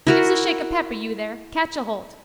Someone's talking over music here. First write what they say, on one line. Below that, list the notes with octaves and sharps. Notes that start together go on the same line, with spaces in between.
Give's a shake of peppe, you there. Catch aholt.
E4 F#4 A#4